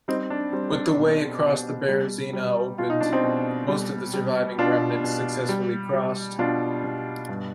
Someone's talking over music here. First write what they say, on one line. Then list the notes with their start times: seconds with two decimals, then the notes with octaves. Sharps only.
With the way across the Berezina opened, most of the surviving remnants successfully crossed.
0.08 G3 C4 D#4
0.30 D4
0.53 G3 C4
0.75 D4
0.98 B2
1.44 B2
1.88 G3
2.33 G3
2.78 B2 F4
2.90 D#4
3.01 D4
3.13 C4 D#4
3.24 B2
3.68 G3
4.14 G3
4.58 B2 D4 F4
5.04 B2
5.49 G3
5.93 G3
6.39 B2 D4 F4
6.84 B2
7.29 G2